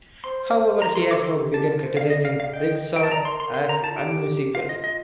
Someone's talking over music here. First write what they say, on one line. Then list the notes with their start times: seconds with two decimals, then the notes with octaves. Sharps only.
However, he has now begun criticizing rigsar as unmusical.
0.24 C5 C6
0.82 A#4 A#5
0.95 A4 C6
1.11 D6
1.24 C6
1.39 G4
1.54 G4 A5
1.68 A#4
1.82 C5
1.97 D5 F5
2.10 D#5
2.25 F5
2.40 F5
2.53 D#5 G5
2.96 G5
3.03 A5
3.12 D5 A#5
3.25 A#4 C6
3.40 A#4 C6
3.54 C6
3.69 A#5
3.83 D#4 A5
3.91 F4
3.97 G4 G5
4.55 F4 F5
4.69 D#5
4.84 D#5